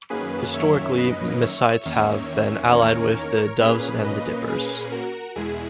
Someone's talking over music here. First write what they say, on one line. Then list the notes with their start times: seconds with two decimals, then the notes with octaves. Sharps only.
Historically, mesites have been allied with the doves and the dippers.
0.10 F#2 D#3 F#3 A#3 C#4 G#4 B4
0.54 C#5 E5
0.98 B4 D#5
1.42 C#5 E5
1.85 E2 D#3 A#3 C#4
2.73 A#4 C#5
3.60 A#2 A#3 C#4 G#4 B4
4.04 B4 D#5
4.48 G#4 B4
4.92 F#4 A#4
5.36 E2 B2 G#3 E4 G#4